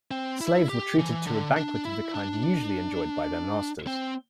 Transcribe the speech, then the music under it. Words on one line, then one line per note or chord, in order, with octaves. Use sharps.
Slaves were treated to a banquet of the kind usually enjoyed by their masters.
C4
E4
G4
E3
D3
D4
E4
D4
C4